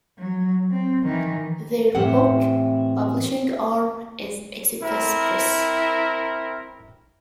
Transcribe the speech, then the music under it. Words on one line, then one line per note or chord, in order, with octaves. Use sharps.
Their book-publishing arm is Eclipse Press.
F#3
C4
D#3 E3
A2 E3 C4 G4 A#4 F#5
C4 E4 A#4